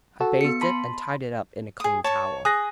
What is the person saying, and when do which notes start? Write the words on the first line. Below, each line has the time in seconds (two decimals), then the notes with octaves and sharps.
I bathed it, and tied it up in a clean towel.
0.21 F#4 A4 E6
0.41 B3 C#7
0.61 A5 B5 C6
1.80 G#4 D#6
2.04 C#5 A5 C#6
2.45 G#4 D#6 F#6 A#6